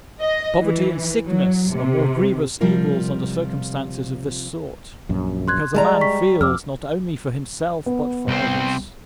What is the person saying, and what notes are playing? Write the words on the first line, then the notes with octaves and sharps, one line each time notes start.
Poverty and sickness are more grievous evils under circumstances of this sort; because a man feels not only for himself, but for others.
D#5
E3
F#3
C3
C3 F3 G3 F4 A#4
A#1 F#2
C6 F#6 G#6
G3 G#3 A5 A#5
C#6 B6
F2 D6 E6 F6
B3
C2 C4